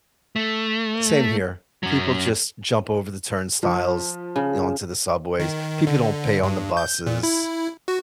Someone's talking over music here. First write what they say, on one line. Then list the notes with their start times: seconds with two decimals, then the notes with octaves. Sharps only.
Same here. People just jump over the turnstiles onto the subways. People don't pay on the buses.
0.36 A3
1.83 F#2 F#3
3.63 F3
4.36 C#3
5.40 D#3
5.87 D3
6.43 G2
6.77 G6
7.07 A#2
7.23 E4
7.88 F#4